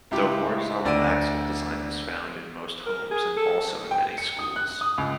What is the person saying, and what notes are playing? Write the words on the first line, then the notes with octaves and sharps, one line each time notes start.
The horizontal axle design is found in most homes, and also in many schools.
C#2 E4 G4
D2 D5 E6 D7 D#7
A#4
G#4
A4
G5
C#7
D#6
F#6
D#6
C#2